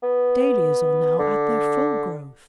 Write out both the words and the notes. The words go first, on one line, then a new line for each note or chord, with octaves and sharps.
Dahlias are now at their full growth.
B3
D3